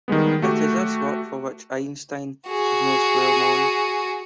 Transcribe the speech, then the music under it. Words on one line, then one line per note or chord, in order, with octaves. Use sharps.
It is this work for which Einstein is most well known.
D#3 G3 G#3 B3
A3 F#4 G4
F#4 G#4